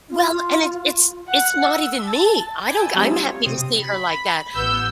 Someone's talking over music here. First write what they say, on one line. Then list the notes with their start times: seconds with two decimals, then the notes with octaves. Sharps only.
Well and it it's it's not even me. I don't g I'm happy to see her like that,
0.10 F4
1.29 F#5
1.65 E6
2.05 A5
2.67 G5 G#5 B5 D6 G6
2.80 G#5 A5 E6
2.94 F#3 G3 A3 C4 D#4
3.11 F4
3.29 C#5
3.44 C3 C4 D#6
3.81 B5
4.54 A1 B3 E6 G6